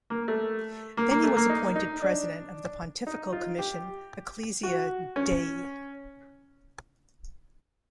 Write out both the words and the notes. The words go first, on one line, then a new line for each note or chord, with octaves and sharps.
Then he was appointed President of the Pontifical Commission "Ecclesia Dei".
A#3
A3
A#3
A#3
A3
A#3
D#4
D#4
D4
D#4
F4
G4
F#4
C#4